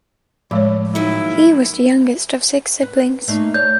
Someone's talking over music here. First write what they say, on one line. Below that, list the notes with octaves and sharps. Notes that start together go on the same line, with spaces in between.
He was the youngest of six siblings.
A2 F3 G#3 C#5
D#3 F#3 A#3 E4
B4
A3 A#3 D#4
C#5 D5 G6